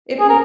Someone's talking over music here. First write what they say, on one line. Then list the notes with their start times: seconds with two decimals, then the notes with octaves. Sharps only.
if you
0.19 G#4
0.29 A#4